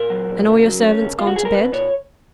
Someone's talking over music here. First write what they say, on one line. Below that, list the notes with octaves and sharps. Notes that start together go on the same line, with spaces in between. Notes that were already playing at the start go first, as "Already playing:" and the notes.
"And all your servants gone to bed?"
Already playing: A#2 A#4
F#3
A#2
C#3
F#3
C#4
C#2
C#2 F4
F#4
C#2 G#4
A#4
A#2 B4
A#2 C#5